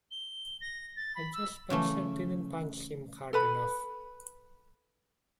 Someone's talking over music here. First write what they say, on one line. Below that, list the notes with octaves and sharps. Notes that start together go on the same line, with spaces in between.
I guess Spencer didn't punch him hard enough.
G7
A#6
A6
B5
E6
C#3 E3 A3
A4 B4 B5